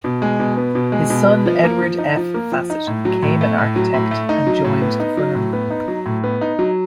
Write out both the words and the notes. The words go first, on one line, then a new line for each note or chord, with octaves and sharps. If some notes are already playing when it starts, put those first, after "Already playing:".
His son, Edward F. Fassett, became an architect and joined the firm.
B2
G#3
B2
B3
B2
G#3
B2
B3
F3
A#3
F3
D#4
F3
A#3
F3
D#4
A2
F#3
A2
A3
A2
F#3
A2
A3
D#4
F#3
A2
B3
D#4
F#3
A2
B3
D#4
F#3
A2
B3
D#4
F#3